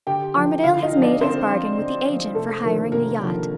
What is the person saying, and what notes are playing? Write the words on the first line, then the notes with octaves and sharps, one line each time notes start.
Armadale has made his bargain with the agent for hiring the yacht.
D2 G4 G5
D3 F3
D2 F4 F5
D#4 D#5
D3 F3
D4 D5
D2 C4 C5
D3 F3
D2
D3 F3
F1 A3 A4
D#2 D3 F3 A#3 A#4
F1 A#3 A#4
D#2 D3 F3